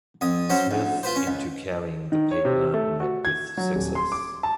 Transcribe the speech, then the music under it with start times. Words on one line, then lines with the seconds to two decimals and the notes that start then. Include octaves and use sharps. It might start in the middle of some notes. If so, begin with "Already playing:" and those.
Smith into carrying the paper met with success.
0.21 F2 D#6
0.50 F#3 C#4 C5
0.71 D2
1.03 F4 B4 C5
1.16 C#4
1.27 C#2
2.12 D#3
2.31 C#5
2.45 C3
2.74 A3
3.00 F#4
3.25 G#6
3.57 F#3
3.75 D#1
3.95 C6
4.12 D6
4.43 A5